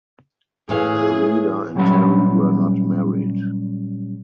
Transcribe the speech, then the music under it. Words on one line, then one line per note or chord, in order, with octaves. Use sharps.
Almeida and Terri were not married.
A2 E3 G#4 F5
A#2 F#3 G3 C#4 F#5 B5